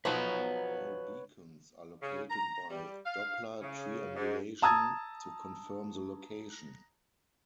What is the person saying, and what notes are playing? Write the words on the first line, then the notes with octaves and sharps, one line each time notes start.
All beacons are located by doppler triangulation to confirm the location.
F3 F#3 D#4 B4 C#5 F#5
C#3
A#5
G3
F5
C#3
G#2
A5 A#5 D#6 E6 G#6 A6